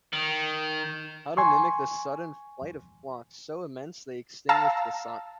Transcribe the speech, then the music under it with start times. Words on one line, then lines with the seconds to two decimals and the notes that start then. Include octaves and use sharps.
How to mimic the sudden flight of flocks so immense they extinguished the sun?
0.13 D#3
1.37 G#5 C6 C#6
4.49 F5 A5 A#5 E6